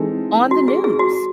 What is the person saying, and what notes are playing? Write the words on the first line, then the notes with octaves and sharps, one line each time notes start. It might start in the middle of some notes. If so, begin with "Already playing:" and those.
on the news.
Already playing: E3 G#3 C4 D#4 A4
F#4
G#4
G#4
F#4